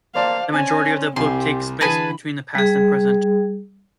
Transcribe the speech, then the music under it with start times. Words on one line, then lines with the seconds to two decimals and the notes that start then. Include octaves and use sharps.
The majority of the book takes place between the past and present.
0.15 A#3 C5 D5 F5 A5
0.54 C#4 G#5
1.16 C2 G3 C4 G4 G#5 C6
1.81 D3 E3 G#4 B4 G#5 A5 B5
2.55 G3 G#4